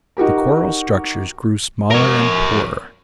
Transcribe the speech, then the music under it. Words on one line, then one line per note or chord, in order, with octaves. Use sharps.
The coral structures grew smaller and poorer.
D#4 F#4 G4 A#4
A#4 C#5